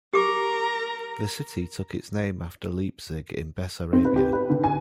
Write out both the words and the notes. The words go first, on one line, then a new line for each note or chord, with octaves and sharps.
The city took its name after Leipzig in Bessarabia.
G4 A#4 A#5 D6
C4
B4
G4
B4
D3
G#5